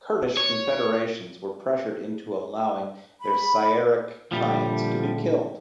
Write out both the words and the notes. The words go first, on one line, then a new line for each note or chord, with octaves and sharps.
Kurdish confederations were pressured into allowing their Syriac clients to be killed.
C#5
B5
A#2 D3 F3 G3 E4